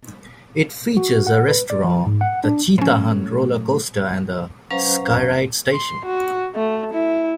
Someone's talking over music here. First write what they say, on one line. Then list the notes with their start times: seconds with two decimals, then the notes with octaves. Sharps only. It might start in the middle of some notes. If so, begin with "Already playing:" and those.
It features a restaurant, the Cheetah Hunt roller coaster, and the Skyride station.
0.97 F#4
1.27 F#5
1.48 B4
1.70 D5
1.84 F3
2.06 G#2
2.21 F#5
2.44 D4
2.78 A2 F3 F#3 C#4
4.70 F#3 C#4 B4 C5 F5 A#5
5.72 C6
6.06 F#4
6.55 A3
6.94 E4